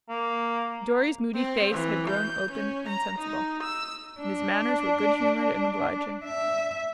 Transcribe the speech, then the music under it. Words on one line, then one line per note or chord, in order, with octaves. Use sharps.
Dorry's moody face had grown open and sensible, and his manners were good-humored and obliging.
A#3
C4
E3
G6
C#4
A#5
D#4
E6
D4
E5